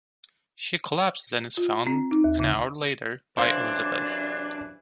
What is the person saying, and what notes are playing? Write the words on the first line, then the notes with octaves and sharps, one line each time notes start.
She collapses and is found an hour later by Elizabeth.
F4
C4
D#4
D#2
C#3
F#2 C3 E3 D4 C5 F5 C6